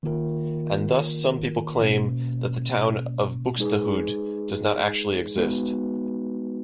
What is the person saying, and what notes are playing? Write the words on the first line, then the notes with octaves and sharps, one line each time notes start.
And thus some people claim that the town of Buxtehude does not actually exist.
D#3 A#3 F4 A#4
B2 A#3 C#4
G#3 D#4 G#4 B4
G#3 B3 D#4 F#4 B4